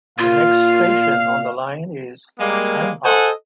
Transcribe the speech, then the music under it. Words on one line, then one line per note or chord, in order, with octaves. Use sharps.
The next station on the line is Hang Hau.
A#2 F4 F5
G3 G#3 A#3
A4 C5 D#5 F#5 G#5